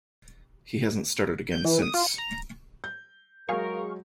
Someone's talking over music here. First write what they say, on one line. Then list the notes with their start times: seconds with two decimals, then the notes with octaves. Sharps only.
He hasn't started again since.
1.51 G6
1.65 E3
1.82 D#6
1.94 F4
2.06 C#7
2.18 A#5
2.84 G6
3.49 F#3 G#3 G#4 A#4 F5 C#6